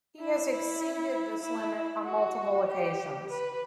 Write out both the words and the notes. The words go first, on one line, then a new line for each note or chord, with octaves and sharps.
He has exceeded this limit on multiple occasions.
E4
E4
E4
F#4
G4
B4